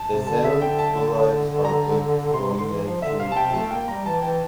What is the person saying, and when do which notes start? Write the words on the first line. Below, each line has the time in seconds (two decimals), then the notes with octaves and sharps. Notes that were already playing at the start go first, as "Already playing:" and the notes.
The xenon fluorides are good fluorinating agents.
Already playing: A5
0.10 C3
0.27 D3 A5
0.44 E5
0.62 G5
0.79 A5
1.65 A#5
2.33 C3 C6
2.59 D3 C6
2.67 E3
2.85 F3
3.02 D3 E5
3.20 C3 F5
3.32 A5
3.36 C3 G5
3.54 A3 A5
3.66 A3
3.71 A#3 G5
3.88 G3 A#5
4.05 E3 A5
4.22 E3 G5